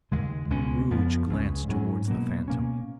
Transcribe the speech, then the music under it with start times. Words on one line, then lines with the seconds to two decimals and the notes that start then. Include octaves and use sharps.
Scrooge glanced towards the Phantom.
0.11 D#2 C#3 G#3
0.50 C#2 B2 G#3 C#4
0.90 F2 F3 B3
1.29 C#2 C#3 G#3 C#4
1.69 G#2 F#3 C#4
2.08 B2 F#3 A#3
2.48 B2 A#3 C#4